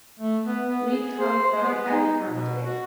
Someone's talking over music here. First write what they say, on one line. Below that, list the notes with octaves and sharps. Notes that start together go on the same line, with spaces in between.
We come from Alicante.
A3
B3
B3
G#4
C5
C5
B3
D#4
B2
F#4